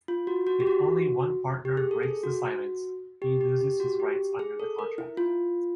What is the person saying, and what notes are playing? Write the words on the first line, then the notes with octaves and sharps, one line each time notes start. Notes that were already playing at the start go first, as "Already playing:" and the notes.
If only one partner breaks the silence, he loses his rights under the contract.
F4
F#4
F#4
G4
F#4
G4
G#4
A4
G#4
F#4
G4
G4
G4
F#4
G4
G#4
A4
A#4
E4
F4